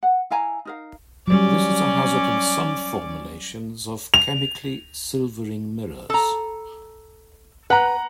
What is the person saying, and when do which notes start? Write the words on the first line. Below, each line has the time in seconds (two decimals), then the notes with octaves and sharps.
This is a hazard in some formulations of chemically silvering mirrors.
0.03 F#5
0.30 E4 F5 G#5 A#5
0.65 D#4 A#4 F5
1.28 F#3 G3 C#4 D5
4.14 F7
6.10 A4 A#5
7.70 B4 F#5 A#5